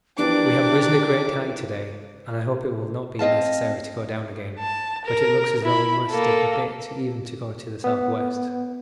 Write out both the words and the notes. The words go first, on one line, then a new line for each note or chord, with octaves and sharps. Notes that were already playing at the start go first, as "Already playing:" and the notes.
We have risen a great height to-day and I hope it will not be necessary to go down again, but it looks as though we must dip a bit even to go to the south-west.
E3 F3 B3 D4 G4 A#4 D5 D6
C4 D#5 F5 A5
A5
A#4
E4 B5
A#3 A4
B3